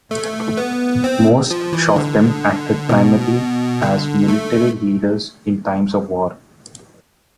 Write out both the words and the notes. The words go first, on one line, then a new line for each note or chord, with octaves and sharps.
Most "shoftim" acted primarily as military leaders in times of war.
A3
B3
C4
F3
E3
D3
B2
D3
A3